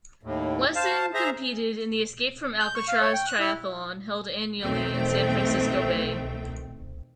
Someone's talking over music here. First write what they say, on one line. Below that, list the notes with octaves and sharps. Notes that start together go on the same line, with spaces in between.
Lessing competed in the Escape from Alcatraz Triathlon held annually in San Francisco Bay.
D#2 A2
C5 F5 A5
G#4 C5 E5 A#5
G6
C#6
F5
C#5
G5
F#6
E4
B1 E2 D#3 A3 C4 G5